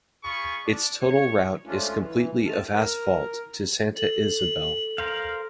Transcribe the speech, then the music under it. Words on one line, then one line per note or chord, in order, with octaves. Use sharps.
Its total route is completely of asphalt to Santa Isabel.
F4 G#4 B5 C#6
D4 D5
C#5
F3 G#3 A3 C#4 D4 F4
E3
F#2 D#3 G#3 A3 A5 F6
A#4
A4 F#7
A#4 C5 F5